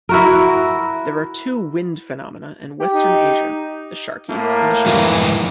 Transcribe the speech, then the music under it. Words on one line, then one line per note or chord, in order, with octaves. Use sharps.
There are two wind phenomena in Western Asia: the "sharqi" and the "shamal".
E4 F#4 A#4
G4
D#4
A2 A3 A#3
F2 G#2 E3